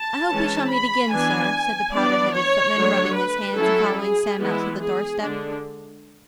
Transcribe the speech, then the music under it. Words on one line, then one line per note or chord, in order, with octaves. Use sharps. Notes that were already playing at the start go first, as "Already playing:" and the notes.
'I hope we shall meet again, Sir,' said the powdered-headed footman, rubbing his hands, and following Sam out to the door-step.
Already playing: A5
E3 G#3 C#4
B5
E3 B3 D4 G#5
E3 B3 D4 D5
C#5
D3 F#3 A3 D4
B4
F#3 C#4 E4 A4
G#4
E3 G#3 B3 E4
G#4
D3 G#3 D4